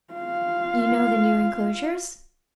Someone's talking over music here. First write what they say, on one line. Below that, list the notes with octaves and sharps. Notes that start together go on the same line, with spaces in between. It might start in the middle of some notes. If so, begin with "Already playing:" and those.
You know the new enclosures?
F4 F5